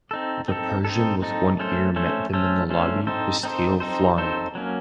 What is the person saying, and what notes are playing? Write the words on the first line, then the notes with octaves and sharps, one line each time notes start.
The Persian with one ear met them in the lobby, his tail flying.
C4 D#4 A4
C4 D#4 A4
C4 D#4 A4
C4 D#4 A4
A3 C#4 A4 C5
A3 C#4 A4 C5
A3 C#4 A4 C5
A3 C#4 A4 C5
C4 D#4 A4 C5
C4 D#4 A4 C5
C4 D#4 A4 C5
C4 D#4 A4 C5
F#3 A#3 C#4